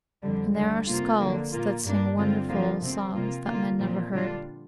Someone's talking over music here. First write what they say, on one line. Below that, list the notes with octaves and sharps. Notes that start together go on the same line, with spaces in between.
And there are skalds that sing wonderful songs that men never heard.
F2 D3 G3
D2 D3 G3
C3 A#3 F4
D3 F3 A#3
A#2 A#3 F4
G2 G3 A#3 D4
G2 D3 G3 C4 F4
D3 F3 A#3 F4
C3 F3 C4
C3 A#3 F4
D3 A#3 F4
A#2 F3 C4 F4
D3 G3 D4 F4